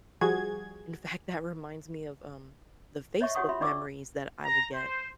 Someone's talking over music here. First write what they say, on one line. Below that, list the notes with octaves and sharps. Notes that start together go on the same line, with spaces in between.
in fact, that reminds me of, um, the Facebook memories that I will get
F3 G3 F#4 G#4 G#6
C#5 D#5 E5 C#6
F#4 G4 C#5 F#5 C#6 D#6
F4 E5 B5 C6
D4 D5 D#5 C#6 D6 E6
A#5
C5